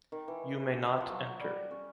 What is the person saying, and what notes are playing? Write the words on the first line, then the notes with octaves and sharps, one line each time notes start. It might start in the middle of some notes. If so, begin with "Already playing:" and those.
You may not enter.
D#3
E3
F3
F#3
G3
C#4